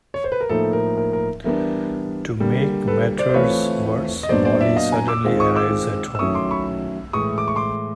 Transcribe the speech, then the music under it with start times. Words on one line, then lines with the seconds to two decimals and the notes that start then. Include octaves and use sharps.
To make matters worse, Molly suddenly arrives at home.
0.14 C#5
0.24 C5
0.32 B4
0.41 A#4
0.49 A2 F3 A#3 D#4 A4
0.73 A#4
0.98 A#4
1.13 A#4
1.44 E3 G3 B3 D4 A#4
2.40 D3 G3 A#3
2.87 A4 B4
3.18 C5 D5
3.29 C5
3.34 E3 A3 C4 F4 B4 C#5
4.23 D#5
4.29 A#2 F#3 B3 D4 C5 D5
4.45 C5 D5
4.61 D5 E5
4.76 D#5 F5
4.92 G#5 A#5
5.08 D6 E6
5.24 D#3 G#3 C4 F4
5.40 C#6 D#6
5.56 D6 E6
6.15 E6
6.19 D#3 F#3 A3 C#4 E4 C#6 D#6
6.35 C6 D6
6.51 B5 C#6
7.13 A2 E3 G#3 C#6 D#6
7.38 D6
7.48 C#6
7.56 C6 D6